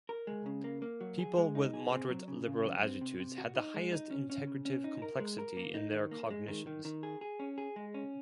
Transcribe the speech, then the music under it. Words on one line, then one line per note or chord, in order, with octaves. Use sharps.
People with moderate liberal attitudes had the highest integrative complexity in their cognitions.
A#4
G#3
C#3
A#3
A#3
F#3
G#4
G#3
D#4
G#4
C4
F#3
C#3
C#3
F#3
C4
C3
C3
F#4
D#4
G#3
D#4
C#4
C#4
C#3
C#4
D#4
A#4
G#3
A#4
A#3
D#4
D#3
A#3
G#3
D#3
D#3
D#3
G#4
G#4
C#4
G#4
G#3
C#4